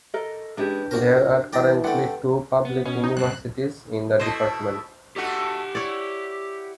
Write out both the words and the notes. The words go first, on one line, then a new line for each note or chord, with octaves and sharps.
There are currently two public universities in the department.
A4 A#4 D#5
E3 G#3 C#4 D4 G4
A#2 C4 F#4 A#4 C#5 D5
E3 G3 B3 D5 G5 A#5
D3 A3 F#5 G5
B3
B2 C#4
D#4
G2 C#3 C4 F#6
B2 A3 E4 C5 D#5
A3 D#4 F#4 G4 F#5
E4 C#5 D5